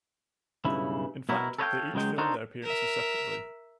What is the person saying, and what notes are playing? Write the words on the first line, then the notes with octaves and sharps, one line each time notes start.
In fact, they each filmed their appearances separately.
B1 G2 C#3 E4
B2 E4 F#4 A#4
A4 B4 C#5 D#5 F5 G5
C#2 C#3 F#3 G#3 G5
D4 D#4 F#4 A4 A#4 C5
A#4 E5